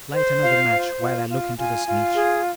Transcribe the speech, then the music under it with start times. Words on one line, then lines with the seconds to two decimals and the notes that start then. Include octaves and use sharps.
Light another match while I look into this niche.
0.14 C5
0.42 F4 F5
0.71 C5
1.01 F4
1.29 F4
1.58 F4 G#5
1.86 F4
2.15 G#4